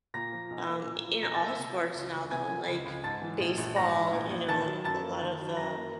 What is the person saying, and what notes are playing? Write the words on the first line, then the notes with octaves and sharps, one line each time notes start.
um, i in all sports now, though, like baseball, you know, a lot of the,
A#2 A#5 A#6
F3
B1
A#3
A#2
F3
B1 A#5 A#6
A5 A6
A#3
E5 E6
C3
F3
C#2
C#2
C3 G#5 G#6
F3
C#2
C#2
G#2 A5 A6
E3
A#1
A#1
G#2 A#5 A#6
E3
A#1
A#1
D#3 A5 A6
F#3
F#2 A5 A6
A#3
D#3
F#3
F#2 A#5 A#6
A#3